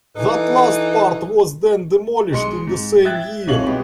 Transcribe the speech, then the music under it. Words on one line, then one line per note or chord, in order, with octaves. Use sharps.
That last part was then demolished in the same year.
E3 D#4 A4 B4
B1 G#3 C6 C#7
G#2
E5 G5 F#6 G#6 A6
C2 D#4 F4 C#5 F5 F#7
B2 G#3 B3 G4